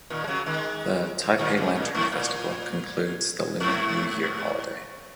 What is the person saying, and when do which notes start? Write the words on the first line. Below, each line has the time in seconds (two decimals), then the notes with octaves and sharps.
The Taipei Lantern Festival concludes the Lunar New Year holiday.
0.10 A#2 D#3
0.24 G#3
0.28 C#3 F#3
0.46 D#3 G#3
1.38 A#2 D#3
1.57 C#3
1.76 A#2
1.95 G#2
2.12 A#2
3.60 G#2